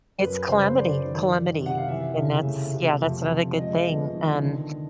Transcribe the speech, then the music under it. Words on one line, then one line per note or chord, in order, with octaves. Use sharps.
It's calamity, calamity, eh, and that's yeah, that's another good thing, um
F#2 B4
C#3 C5
F#2 D5
D#3
D#3
C3
F#5
F5
E3 E5
C#3
A3
C3
F2
F3
G#3 D#5
B3
D#3
D3